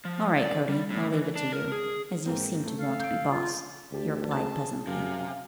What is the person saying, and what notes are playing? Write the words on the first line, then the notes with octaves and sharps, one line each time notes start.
"All right, Cody, I'll leave it to you, as you seem to want to be boss," he replied, pleasantly.
F3
D5
G3
A2
E3
D4
A#4
G#4
G#2 A#3 C4
A3
A4 F5
G6 D7
F4
D2 G4 A5
G#4 A5
F#2 C3 F5 G#5